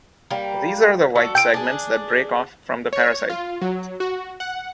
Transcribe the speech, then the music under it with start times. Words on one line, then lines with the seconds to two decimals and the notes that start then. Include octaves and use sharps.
These are the white segments that break off from the parasite.
0.30 G3 A#3
1.15 F#4 A4 D5
1.35 F4 G#4 A4 G5 D7
1.54 D4 G#4
2.93 C#5
3.30 F4
3.62 F#3
4.00 F#4
4.40 F#5